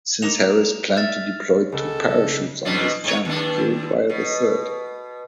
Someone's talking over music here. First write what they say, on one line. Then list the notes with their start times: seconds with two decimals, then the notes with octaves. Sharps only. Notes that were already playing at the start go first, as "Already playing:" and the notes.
Since Harris planned to deploy two parachutes on this jump, he required a third.
0.22 A#3 D#4 E7 F7
0.97 E5 F6 A6
1.72 C#2 A4
2.65 E2 B2 D4
3.04 G#2 C#5
3.25 D#2 D4
4.10 B2